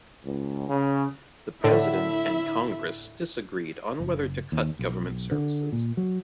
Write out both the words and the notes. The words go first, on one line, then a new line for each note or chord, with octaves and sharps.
The president and congress disagreed on whether to cut government services.
C#2
C#3
A2 D3 E4 E5
F#1
D#2
B1
D3
A#2
F#3